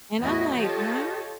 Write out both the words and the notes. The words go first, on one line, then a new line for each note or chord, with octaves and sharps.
And I'm like, "Huh?"
E2 A2 E4 F#4 D#5
F4 G4 A4 C#5 D#5